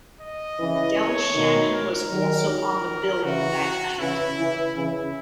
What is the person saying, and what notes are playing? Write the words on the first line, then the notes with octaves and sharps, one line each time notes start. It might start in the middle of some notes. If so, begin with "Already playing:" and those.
Del Shannon was also on the bill that night.
D#5
C#3 E3
C#5
B2 D#3
A#4
D#3 F#3
A#4
C#3 E3 F#4
C#3 E3 E4
C#3 E3
C#3 E3 E4